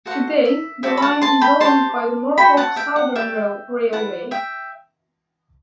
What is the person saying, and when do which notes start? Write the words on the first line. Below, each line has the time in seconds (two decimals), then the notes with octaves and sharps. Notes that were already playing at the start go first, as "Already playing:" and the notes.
Today, the line is owned by the Norfolk Southern Railway.
0.06 F#4 A4 C5 F#5
0.45 E5
0.83 F#4 A4 D5 E5 G5
0.97 B5
1.02 F#5 A5
1.21 A5 C6
1.42 G5 B5
1.60 G4 C5 A5 C6
2.38 F#4 C5 G5 B5
2.57 F#5 A5
2.76 E5 G5
2.96 F#5
3.16 G4 B4 D5 E5 G5
3.92 E4 B4 D5 F#5 A5
4.31 E5 G5